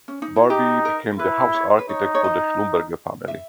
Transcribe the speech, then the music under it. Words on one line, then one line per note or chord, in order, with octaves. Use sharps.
Barbe became the "house architect" for the Schlumberger family.
C#4
D#4
E4
D#4 G4
A#4
E4 B4
C#5
B4
D#4 C#5
C#5
D#5
E5